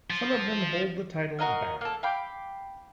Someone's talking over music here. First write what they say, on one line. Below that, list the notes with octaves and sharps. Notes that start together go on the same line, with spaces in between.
Some of them hold the title baron.
F3
F#4 A#4 D#5 F5
A#3 A4
F5 G5 B5 D6